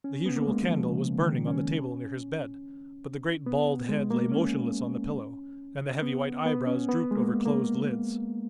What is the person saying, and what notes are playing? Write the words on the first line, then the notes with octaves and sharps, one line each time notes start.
The usual candle was burning on the table near his bed, but the great bald head lay motionless on the pillow, and the heavy white eyebrows drooped over closed lids.
C#4
B3
A#3
G#3
F3
C#3
D#3
C#4
B3
G#3
A#3
C#4
B3
B3
C#4
B3
G#3
A#3
A#3